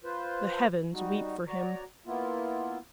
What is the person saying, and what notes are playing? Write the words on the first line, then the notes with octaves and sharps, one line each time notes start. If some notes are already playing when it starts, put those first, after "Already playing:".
The heavens weep for him.
F4 B4 C5
G3 D#4 F#4
F#4 C#5 D5 A#5
A#3 B3 E4 F4